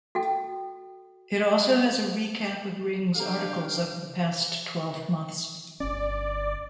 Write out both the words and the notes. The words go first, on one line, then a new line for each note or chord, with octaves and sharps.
It also has a recap of "Ring"'s articles of the past twelve months.
F#4 A4 G5
G3 D4 A4 F5 G5 A#5
G1 C#4 D5